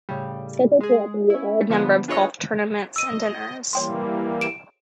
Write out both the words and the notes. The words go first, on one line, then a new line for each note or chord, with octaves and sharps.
Scheduled throughout the year are a number of golf tournaments and dinners.
A2 C#3 G3
G#3 G#4
C#4 E4
D3 F3 G#3 B3
D4 F4 G#4 B4 C#5 D#5
D#5 E6 D#7
E3 G3 A#3 C#5 G5 C6
D7 E7